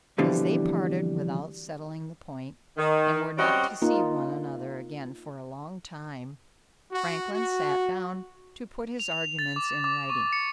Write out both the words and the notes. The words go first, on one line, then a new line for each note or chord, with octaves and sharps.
As they parted without settling the point, and were not to see one another again for a long time, Franklin sat down to put his arguments in writing.
F2 B2 D3 E3 G3
D#3
G3 C4 C#4 F#4 D5 D#5
A#3 D#4 F4
F#4
F#4
F7
F7
A6
D6
D6
C#6
C#7